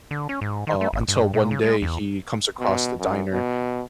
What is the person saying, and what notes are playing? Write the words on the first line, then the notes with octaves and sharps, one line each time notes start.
uh, until one day he comes across the diner
D3
C#4
G#2
D#3
A3
G#1
G2
A#2
C#3
G#3
E2
B2
F#2
B2